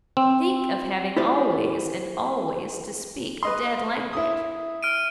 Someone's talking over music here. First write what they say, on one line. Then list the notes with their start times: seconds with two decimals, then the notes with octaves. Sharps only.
Think of having always--and always--to speak a dead language!
0.17 C4
1.16 E4 G4 C5 D5
3.43 B4 D#5 C6
4.13 E4 D#6
4.83 F6 D7 D#7